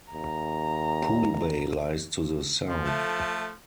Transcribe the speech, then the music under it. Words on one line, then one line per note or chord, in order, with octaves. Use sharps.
Poole Bay lies to the South.
D#2 A#5
F3
A3